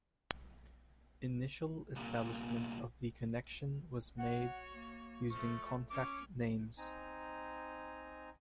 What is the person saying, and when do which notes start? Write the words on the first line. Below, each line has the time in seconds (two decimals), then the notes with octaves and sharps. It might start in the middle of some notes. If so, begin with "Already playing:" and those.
Initial establishment of the connection was made using contact names.
1.96 C2 A#2
4.19 F#4 C#5 F#5
4.73 A#3
5.30 F3 A3 C#6
5.91 C#4 C#5 D6
6.78 C4 D#4 G#5 A#5